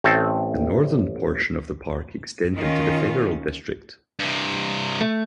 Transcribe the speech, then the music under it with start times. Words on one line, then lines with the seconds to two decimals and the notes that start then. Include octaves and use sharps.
The northern portion of the park extends into the Federal District.
0.04 A1 A3 C4 A4
2.55 D#3 C#4 F4
4.19 G2 C3
5.01 A3